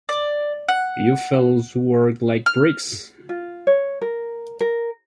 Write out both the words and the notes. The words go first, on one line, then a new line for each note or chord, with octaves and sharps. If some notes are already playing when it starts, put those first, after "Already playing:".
You fellows worked like bricks.
D5
F#5
F6
F4
C#5
A#4
A#4